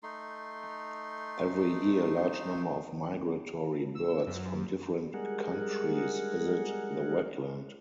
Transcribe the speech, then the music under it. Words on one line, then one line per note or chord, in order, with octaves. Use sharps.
Every year large number of migratory birds from different countries visit the wetland.
A3 D#4 C6
E6
F#2
G3 G#3 G#4 A#4 F#5